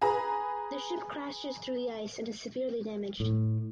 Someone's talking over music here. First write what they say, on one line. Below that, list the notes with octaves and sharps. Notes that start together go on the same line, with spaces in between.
The ship crashes through the ice and is severely damaged.
G#4 B4 A#5
A2